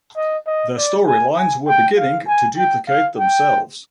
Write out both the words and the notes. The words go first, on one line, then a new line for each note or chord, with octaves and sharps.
The storylines were beginning to duplicate themselves.
D#5
D#5
D5
G#5
G#5
G5
F5
G#5
G5
F5
G5